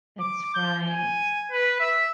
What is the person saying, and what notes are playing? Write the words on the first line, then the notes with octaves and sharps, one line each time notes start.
That's right.
D6
G6
G#5
B4
E5